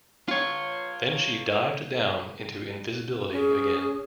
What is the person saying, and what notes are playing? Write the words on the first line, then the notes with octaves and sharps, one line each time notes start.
Then she dived down into invisibility again.
F4 C#5
C#4 G#4